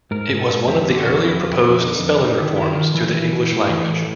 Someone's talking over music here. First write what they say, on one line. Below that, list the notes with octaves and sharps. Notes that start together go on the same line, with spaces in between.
It was one of the earlier proposed spelling reforms to the English language.
G#2 A#4
G#2
A4
G#2
F2 G4
D3
F#4
F2
F2 E4
F2 F4
E4
F2
E4
D3 D#4
F2 D#4
D4
D3
D#4
D#3 E4
D#3 E4
D#3 F4
E3 E4
E3
E3
A2
E3
A2